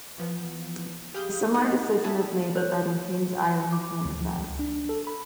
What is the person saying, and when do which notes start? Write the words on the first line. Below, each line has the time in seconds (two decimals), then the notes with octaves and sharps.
A similar decision was made regarding Kings Island's Winterfest.
0.18 E3 F3 B3
1.14 G4 G#4 F5 B5 D#6 G6
1.54 A#3 D#4 A#4 D#5 F#5
2.04 F#4 G#4 E5 A5 B5
2.55 C5 C#5
3.73 D6
4.05 D2
4.21 F3
4.39 C#2
4.59 D4
4.89 A4
5.07 B5